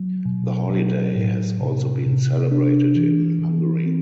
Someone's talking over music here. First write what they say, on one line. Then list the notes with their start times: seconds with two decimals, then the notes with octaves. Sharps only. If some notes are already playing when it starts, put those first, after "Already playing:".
The holiday has also been celebrated in Hungary.
Already playing: F#3
0.26 B2
0.70 F#3
1.15 A2
1.60 C3
2.06 C3
2.51 D4
2.96 E3
3.41 E3
3.86 C4